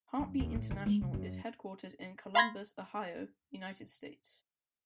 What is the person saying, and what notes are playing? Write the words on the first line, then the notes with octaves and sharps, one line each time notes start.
Heartbeat International is headquartered in Columbus, Ohio, United States.
F#2
D#2
A2
D#3
G#3
C3
F#2
F5 B5 C6 G#6 A#6